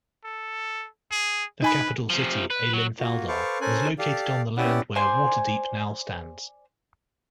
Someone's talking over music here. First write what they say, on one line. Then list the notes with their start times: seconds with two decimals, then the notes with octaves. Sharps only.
The capital city, Aelinthaldaar, was located on the land where Waterdeep now stands.
0.25 A4
1.12 G#4
1.62 D#4 B4 G#5 B5
2.10 C3 F3
2.50 B4
2.74 F#3
2.99 A#3 F4 F#4
3.28 A4 B4 C5 F5 C#6 D6
3.61 C#4 A4 A#4 C5 G#5 F#6
3.99 G4 A4 D5 F5
4.58 B3 C#4 E4 G4 D5 F#5
4.95 C5 D5 G#5 C6